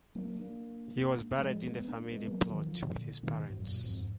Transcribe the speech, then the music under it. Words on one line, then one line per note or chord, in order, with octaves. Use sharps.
He was buried in the family plot with his parents.
F#3 A#3
A#3 D4
F3 G#3
G#3 B3
A#3 D4
A#3
G#3 B3
F#3 A#3
D#3 F#3
D3 F3
A#2 D3
B2 D#3
G#2
F#2 A#2
F2 G#2